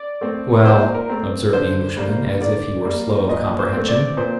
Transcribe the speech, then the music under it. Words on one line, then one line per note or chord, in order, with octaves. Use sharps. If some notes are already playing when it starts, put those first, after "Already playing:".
"Well," observed the Englishman as if he were slow of comprehension.
Already playing: D5
A3 C4
A#2 C5
A#4
A3 C4
D3 C5
G3 A#3
D3 D5
G3 A#3
A#2 D#5
C5
A3 C4
D5
A#2 C5